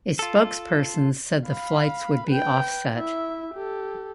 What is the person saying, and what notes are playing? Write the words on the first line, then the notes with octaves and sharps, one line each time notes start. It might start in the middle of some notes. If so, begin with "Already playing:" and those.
A spokesperson said the flights would be offset.
F4 A4
F5 B5
B4 G5
E4 E5
G4 A4